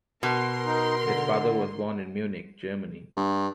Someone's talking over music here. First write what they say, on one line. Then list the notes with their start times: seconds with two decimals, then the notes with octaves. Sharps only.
His father was born in Munich, Germany.
0.23 B2 A#4 C6
0.66 D#4
1.03 D3
3.17 G2